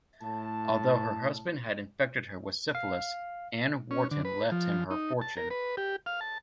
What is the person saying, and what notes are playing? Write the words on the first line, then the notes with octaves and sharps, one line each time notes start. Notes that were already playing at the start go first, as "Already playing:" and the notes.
Although her husband had infected her with syphilis, Anne Wharton left him her fortune.
A2 A5
F5
C#4
D3
B4
F3
D#4
A5
A#4
B4
G4
F5
A5